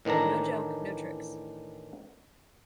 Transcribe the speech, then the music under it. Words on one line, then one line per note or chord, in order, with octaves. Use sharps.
No Joke, No Tricks.
A2 D#3 E3 D4 A#5